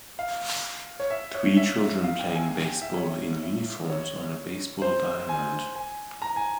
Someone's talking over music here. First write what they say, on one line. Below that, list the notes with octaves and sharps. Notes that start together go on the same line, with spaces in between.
Three children playing baseball in uniforms on a baseball diamond.
F5
C#5
E5
C#5
E5
F5
G5
G#5
G#5
G5
E5
C#5
E5
C#5
C5
G#5
G#5
A#5
G#5